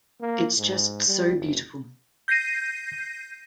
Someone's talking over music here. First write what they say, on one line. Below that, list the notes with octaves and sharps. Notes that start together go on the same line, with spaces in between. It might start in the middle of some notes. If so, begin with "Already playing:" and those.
It's just so beautiful.
A#3
G#2
G3
F#1
G6 A#6 C7 D#7